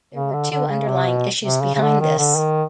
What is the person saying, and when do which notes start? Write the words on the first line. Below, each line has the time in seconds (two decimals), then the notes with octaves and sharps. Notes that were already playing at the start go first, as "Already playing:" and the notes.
There were two underlying issues behind this.
0.14 C#3
0.33 D3
0.51 D3
0.70 C#3
0.88 C3
1.07 B2
1.44 C3
1.63 C#3
1.75 C#3
1.81 D3
2.01 D#3
2.18 D3
2.37 D#3